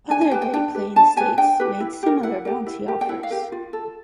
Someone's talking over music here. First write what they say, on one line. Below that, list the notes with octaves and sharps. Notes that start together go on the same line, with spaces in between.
Other Great Plains states made similar bounty offers.
D4 G#5
G#5
G4 B4 G5
G5
D4 G5
G4 B4
D4 A5
G4 B4 G#5
D4 G5
G4 B4
E4
G4 A#4
E4 F#5
G4 A#4
E4
G4 A#4
G5
E4 F#5
F5
G4 A#4
F4
A4